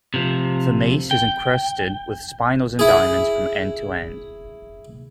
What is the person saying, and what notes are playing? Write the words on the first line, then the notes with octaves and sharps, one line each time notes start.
The mace is encrusted with spinels and diamonds, from end to end.
C3 F3
G5
E4 G#4